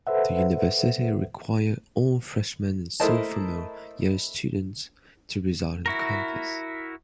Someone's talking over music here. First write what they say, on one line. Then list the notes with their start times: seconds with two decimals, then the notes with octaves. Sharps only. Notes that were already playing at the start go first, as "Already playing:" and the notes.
The university requires all freshman- and sophomore-year students to reside on campus.
0.07 A4 B4 C5 E5 F#5
3.00 A3 E4 A#4 C5 D#5 A5
5.86 E4 F#4 A#4